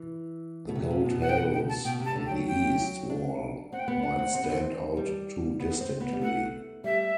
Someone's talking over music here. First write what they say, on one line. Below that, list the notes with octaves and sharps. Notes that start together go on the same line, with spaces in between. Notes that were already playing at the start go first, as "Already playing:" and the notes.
The gold halos on the east wall might stand out too distinctly.
Already playing: E3
B2
C3
C3
B2
F#5
G5
F#5
G5
A5
B2 G5
C3
A5
D3
G5
F#3
G5
D4
C4 F#5
G5
B3 F#5
D4
C4
C4
B3
C4
G3
B3
C4
B3
G3
A3 F#5
G3 E5